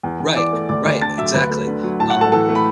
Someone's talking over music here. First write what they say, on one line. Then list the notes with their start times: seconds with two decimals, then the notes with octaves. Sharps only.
Right, right, exactly, um
0.03 E2
0.20 E2
0.36 E3 D5 D6
0.53 A3
0.69 D2 D5 D6
0.85 D2
1.01 D3 A5 A6
1.18 F#3 E5 E6
1.34 D2 B4 B5
1.50 A3
1.67 D3
1.83 F#3
1.99 A2 A5
2.10 F#5
2.16 A2
2.21 A4 A5
2.32 E3 A4 A5
2.49 A3
2.55 B5